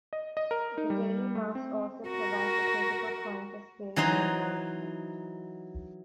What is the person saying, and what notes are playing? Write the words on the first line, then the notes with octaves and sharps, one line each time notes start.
The daily Mass also provides a critical point of spiritual nourishment.
D#5
D#5
A#4
D#4
G3
A3
C4
F#4 A#4
E3 F#3 D#4 C5